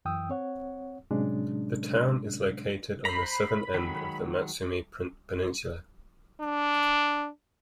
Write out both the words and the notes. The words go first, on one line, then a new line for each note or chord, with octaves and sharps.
The town is located on the southern end of the Matsumae Peninsula.
F#2 E3 G5 D#6 E6
C4 C#5 F#5
A2 C3 F#3 G#3 C#4 D4
C5 A#5 B5
D#3 F#3 G#3
D4